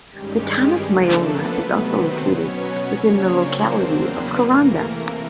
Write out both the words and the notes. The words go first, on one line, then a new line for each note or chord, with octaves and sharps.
The town of Myola is also located within the locality of Kuranda.
G2 D#3 G3 G#3 C#4 G4
G#3 G#4
C#3 F3 A3 A#3 D4 A4
B3 B4
C3 D#3 F#3 A3
C4 C5
B2 F#3 B3 C#4 C#5
C#3 F#3 A#3 C#4 D4 C#5
C4 C5
E2 C#3 F#3 A#3 C4 D4 C5
B3 B4
C3 E3 A3 A#3 A#4